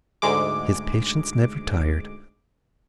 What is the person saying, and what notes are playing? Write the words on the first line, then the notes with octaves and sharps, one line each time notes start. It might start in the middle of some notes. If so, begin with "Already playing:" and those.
His patience never tired.
D2 G#2 G#3 D6